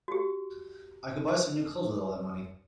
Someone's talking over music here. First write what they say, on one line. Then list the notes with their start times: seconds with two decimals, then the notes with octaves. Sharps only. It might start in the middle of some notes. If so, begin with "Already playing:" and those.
I could buy some new clothes with all that money.
0.08 F#4 G4